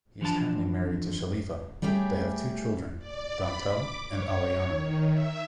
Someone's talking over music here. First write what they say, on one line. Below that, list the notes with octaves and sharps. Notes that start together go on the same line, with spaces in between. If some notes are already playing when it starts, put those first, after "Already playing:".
He is currently married to Shalifa; they have two children, Dantel and Alayana.
E3 F3 D4 A5
G3 A3 C#4 G4 G#4
D5
B5
D6
C#5
D#3
E5